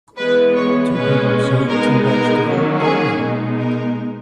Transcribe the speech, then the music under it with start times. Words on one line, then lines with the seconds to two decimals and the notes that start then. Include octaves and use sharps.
Two people observe a teenage girl bowling.
0.18 E3 G#3 B3 B4
0.56 C#5
0.93 B2 G#3 C#4 B4
1.69 B2 G#3 B3 D#4 A#4
2.06 A#4
2.43 D#3 F#3 A#3 C#4
2.81 G#4
3.18 B2 G#3 D#4
3.57 A#4